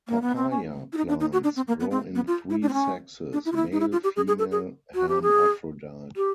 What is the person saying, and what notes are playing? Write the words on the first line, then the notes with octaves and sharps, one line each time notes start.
Papaya plants grow in three sexes: male, female, hermaphrodite.
A#3
B3
C4
C#4
E4
D#4
D4
D#4
F#4
D4
C4
A#3
B3
C4
B3
F4
E4
D4
C4
C#4
D4
E4
F4
E4
D#4
E4
F4
G4
G#4
G#4
A4
G#4
F#4
G4
G#4
G4